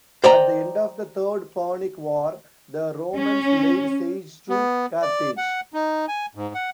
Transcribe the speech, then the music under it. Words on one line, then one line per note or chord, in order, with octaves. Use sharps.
At the end of the Third Punic War, the Romans laid siege to Carthage.
C5 D5 D#5 G5 A#5
C#4
B3
D5
F#5
D#4
G#5
G#2
F#5